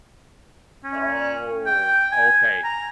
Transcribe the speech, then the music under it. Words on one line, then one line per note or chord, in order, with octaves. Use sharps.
Oh, okay.
C#4
G5
G#5
A#5